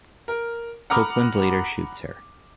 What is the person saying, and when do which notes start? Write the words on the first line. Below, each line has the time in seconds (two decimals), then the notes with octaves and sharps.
Copeland later shoots her.
0.28 A#4
0.90 F#5 A#5 B5 D6 D#6 F6